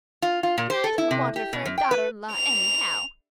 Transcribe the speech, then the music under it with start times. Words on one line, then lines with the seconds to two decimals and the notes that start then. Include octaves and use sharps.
And I didn't want her for a daughter-in-law anyhow.
0.22 F4
0.43 F4
0.58 A#2
0.70 C5
0.84 A4
0.98 E4
1.11 C3
1.36 G4
1.53 B2
1.66 F#2
1.78 G5
1.91 B4
2.33 F7